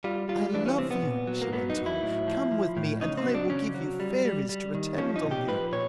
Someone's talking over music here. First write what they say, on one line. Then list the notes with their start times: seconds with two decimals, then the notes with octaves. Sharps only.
"I love you," she went on. "Come with me, and I will give you fairies to attend on you."
0.04 G3 F4
0.29 G3 F4
0.54 E3 D4
0.66 C#4
0.78 C3 C4
0.91 B3
1.03 A#2
1.27 F#3
1.42 A#3
1.52 F#3 B3
1.70 D#4
1.77 F#3
1.86 E4
2.03 A2
2.27 F3
2.52 F3
2.77 A2
3.01 C#3 D#4
3.17 C4
3.26 F#3
3.35 D4
3.50 C#3 C#4
3.75 F#3
4.00 G3
4.25 G3
4.49 G3
4.75 D#3
4.98 F3 C#4
5.16 D#4
5.24 A#2
5.31 G4
5.48 F3 B4
5.73 A#2 C#5